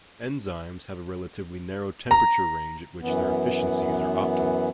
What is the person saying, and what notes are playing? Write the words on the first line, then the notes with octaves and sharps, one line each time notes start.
Enzymes have a relatively narrow temperature range at which their efficiencies are optimal.
A#5
F#2 E3 B3